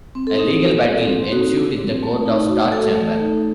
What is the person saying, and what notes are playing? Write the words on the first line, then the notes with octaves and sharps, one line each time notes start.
A legal battle ensued in the Court of Star Chamber.
C4
A4
D#4
F#4
C4
C4
D#4 F#4
F#4
C4
A3
D#4
F#4
A3 A4
A3
D#4